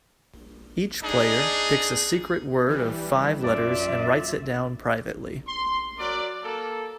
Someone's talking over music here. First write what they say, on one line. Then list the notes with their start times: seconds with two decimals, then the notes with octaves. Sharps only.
Each player picks a secret word of five letters and writes it down privately.
1.03 D4 D#4 G#4
2.68 E3 G3
3.43 F#2 F4 D5 E5
5.48 C6
5.98 F#3 A#4 D5
6.44 A#3 A4